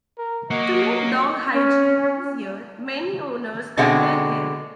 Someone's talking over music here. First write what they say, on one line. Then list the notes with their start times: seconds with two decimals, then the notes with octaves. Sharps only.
To make dog hygiene easier, many owners cut their hair.
0.18 A#4
0.51 A#3 C#5 D#5 F#5
1.53 C#4
3.77 B2 D3 G#3 C4 E5 F#5